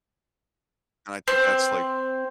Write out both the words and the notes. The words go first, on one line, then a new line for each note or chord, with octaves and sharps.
And, I think that's like
C4